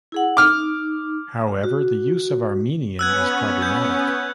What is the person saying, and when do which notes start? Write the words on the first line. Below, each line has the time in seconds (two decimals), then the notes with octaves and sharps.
However, the use of Armenian is problematic.
0.12 E4 G#4 F#5
0.37 D#4 D6 F6
1.64 F#4
2.99 B3 C#4 E6 F#6 G#6
3.62 G6